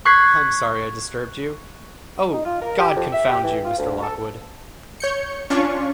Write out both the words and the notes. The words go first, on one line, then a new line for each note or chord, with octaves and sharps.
I’m sorry I disturbed you. Oh, God confound you, Mr. Lockwood!
C#6 F#6 G#6 B6 C7
D#4
F4
A#4
G4
F2
E5
G4
E3
F4
D2
A4
C#5 G6 C#7
C#4 D4 F4 C#6